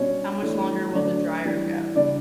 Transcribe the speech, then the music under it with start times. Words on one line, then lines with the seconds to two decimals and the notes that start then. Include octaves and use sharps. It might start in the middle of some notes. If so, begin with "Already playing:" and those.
How much longer will the dryer go?
Already playing: B2 G3 B3 C#4 D4 C#5
0.42 E3 A3 D4
0.93 D3 F#3 A3 D4
1.45 E3 G3 D4
1.95 C#3 G3 B3 D4 D5